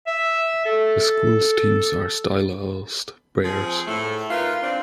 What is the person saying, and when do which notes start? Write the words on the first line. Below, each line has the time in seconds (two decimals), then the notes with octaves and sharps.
The school's teams are stylized Bears.
0.07 E5
0.65 A4
3.45 F3 C4 G#4
3.87 A2 A3
4.31 D#4 F4 A#4 B4
4.62 C4 D4